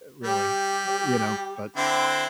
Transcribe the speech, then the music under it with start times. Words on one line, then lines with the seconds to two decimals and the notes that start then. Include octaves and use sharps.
really, uh, you know, but
0.24 G3 G4
1.77 D3 C4 E4